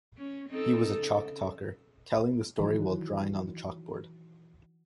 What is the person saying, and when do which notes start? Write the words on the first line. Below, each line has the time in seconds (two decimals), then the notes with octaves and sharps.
He was a 'chalk talker', telling the story while drawing on the chalk board.
0.17 C#4
0.49 C4 D#4 A4
0.96 C#3
2.59 D#3 E3 F#3